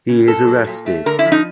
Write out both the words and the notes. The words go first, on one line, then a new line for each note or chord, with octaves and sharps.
He is arrested.
C#3
A#2 A4
F#3
A#2
A3
D3 A#4
E4
F3
D#4